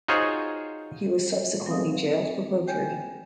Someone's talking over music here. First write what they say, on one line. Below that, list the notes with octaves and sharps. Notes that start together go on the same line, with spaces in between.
He was subsequently jailed for perjury.
D#4 F4 F#4 G#4 C5 C#5
F#3 C4 B4 F5 D#6
G5 G#5 G6